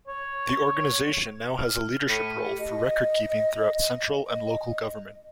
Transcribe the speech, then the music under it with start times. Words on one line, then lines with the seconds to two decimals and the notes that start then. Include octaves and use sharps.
The organisation now has a leadership role for recordkeeping throughout central and local government.
0.08 C#5
1.58 F6
2.08 A2 B6 C#7 D#7
2.45 G4
2.58 D#5
4.27 D#5